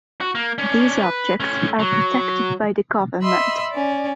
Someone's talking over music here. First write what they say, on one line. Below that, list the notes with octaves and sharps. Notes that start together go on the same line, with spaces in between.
These objects are protected by the government.
F#4
A#3
C#4 D4
B4
A3 C#4
F#3
D#5 E5 B5 C6 E6
C#4 D5